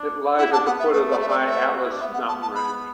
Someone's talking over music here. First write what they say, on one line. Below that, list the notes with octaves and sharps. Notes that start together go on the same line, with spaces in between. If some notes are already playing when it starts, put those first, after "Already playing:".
It lies at the foot of the High Atlas mountain range.
Already playing: D4
E4 F#5
D4 A5
B3 F#5
B3 E5
A3 B4
D5
E5
D5
E5
F#4
E4
D4
B3 E5
F#5
A5
A5
B5